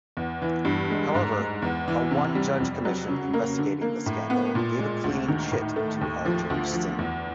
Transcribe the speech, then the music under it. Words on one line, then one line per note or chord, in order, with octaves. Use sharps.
However, a one-judge commission investigating the scandal gave a clean chit to Arjun Singh.
E2
E3
G2
G#3
G#2
G#3
E2
E3
C3
G3
F2
F#3
C#3
A#3
D3
A#3
A2
B3
A#2
G#3
D2
D#3
A2
A3
D#2
F3
D2
F3
E2